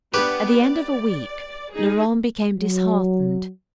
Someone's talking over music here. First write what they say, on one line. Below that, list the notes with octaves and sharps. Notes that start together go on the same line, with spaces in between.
At the end of a week, Laurent became disheartened.
B3 D4 G4 B4
D5
D#4 G#4
F#3